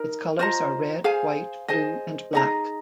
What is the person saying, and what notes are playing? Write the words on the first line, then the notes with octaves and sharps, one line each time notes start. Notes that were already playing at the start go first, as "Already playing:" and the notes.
Its colours are red, white, blue and black.
Already playing: D#4 A#4
F4 C5 D#5 A#5
G#4 C5 F5 G#5
G#4 C5 D#5 G#5
D#4 G#4 D#5 A#5